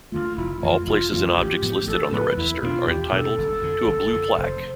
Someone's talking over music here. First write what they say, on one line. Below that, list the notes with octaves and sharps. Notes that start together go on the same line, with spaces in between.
All places and objects listed on the register are entitled to a Blue plaque.
D2 D3 A3 F4
F1 E4
F2 E3 A3 F4
F1 F4
F2 E3 A3 F4
A1 G4
A2 F3 B3
A1 A4
A2 F3 B3 B4
E2 E4
B2 A3 D4 F4
E2 G4
B2 A3 D4 A4
G1
F2 D3
G1
F2 D3
F1 C5